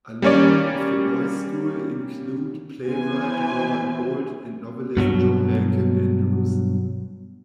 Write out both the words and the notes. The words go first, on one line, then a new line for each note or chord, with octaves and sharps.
Alumni of the boys' school include playwright Robert Bolt and novelist John Malcolm Andrews.
G3 A#3 C#4 C#5 D5
E3 B3 C5 G#5
G2 B2 F3 F#3